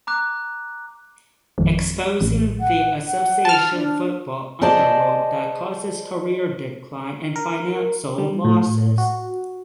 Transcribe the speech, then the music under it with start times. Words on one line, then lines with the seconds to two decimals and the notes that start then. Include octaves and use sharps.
Exposing the association football underworld that causes career decline and financial losses.
0.07 A#5 D6 F#6
1.58 G#1 F2
2.21 A1
2.60 F#5
3.07 F#5
3.45 A5 F6
3.71 D4
4.61 G#4 C5 D5 D#5 A5
7.36 A#4
8.18 G3
8.45 A2
8.98 F#4